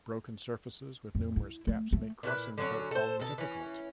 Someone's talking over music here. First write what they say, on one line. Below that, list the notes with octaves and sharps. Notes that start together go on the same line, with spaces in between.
Broken surfaces with numerous gaps make crossing without falling difficult.
F2
E4
A3
A3
A#2 E4 B4
D3 F#3 C#4
A4 C5
B2 A4
E3 C#4